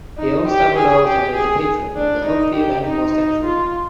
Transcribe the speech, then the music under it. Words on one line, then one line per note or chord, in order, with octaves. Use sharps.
He owns several dogs and is a patron of the Hopefield Animal Sanctuary.
D#4
G4
G#4
G4
G#4
D4
D#4
G4
D#4
D#4
F4